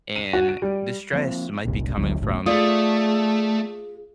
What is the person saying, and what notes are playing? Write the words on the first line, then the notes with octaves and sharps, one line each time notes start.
and the stress might be coming from,
D#7
F#4
D7
G3
F3 A#3 C4
F#1 C2 G2 A#2
G#1 D2 F#3
G1 C#2 F#2 A2
A3 F4 G#4 D5 D#6